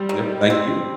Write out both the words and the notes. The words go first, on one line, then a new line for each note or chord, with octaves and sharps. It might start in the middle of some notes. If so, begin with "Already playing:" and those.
Yep, thank you.
Already playing: G3 C4
D#3
C4